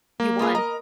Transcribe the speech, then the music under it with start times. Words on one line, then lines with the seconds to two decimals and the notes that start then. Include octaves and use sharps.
You won.
0.20 A#3
0.39 B3 F4 G#4
0.55 A#4 D#5 A#5